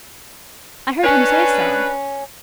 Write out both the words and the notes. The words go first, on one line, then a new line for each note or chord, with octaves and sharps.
I heard him say so.'
C#4 D4 B4 C#5 G#5